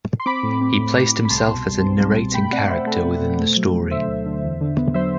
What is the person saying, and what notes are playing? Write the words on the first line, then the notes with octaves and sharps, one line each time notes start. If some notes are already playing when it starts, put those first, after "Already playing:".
He placed himself as a narrating character within the story.
C6
C4 B5 D6
A2
C4
A2
A2
A2
B5
C2 A5 C6
B2
G3
C4
G3
B2
A3 G5 B5
C4 D5 F#5
C4 C5 E5
A3 A4 C5
B2
B2
A3
F#3
A3
D3 C5 E5
D2
D3
E2
D3
B3
F#3 C5 E5